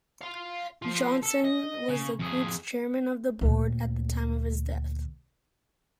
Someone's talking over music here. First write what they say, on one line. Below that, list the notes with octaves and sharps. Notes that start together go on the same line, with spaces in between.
Johnson was the group's Chairman of the Board at the time of his death.
F5 C6
F3 F4
A4
D#5
C#3
F2 G#4
D2 A#2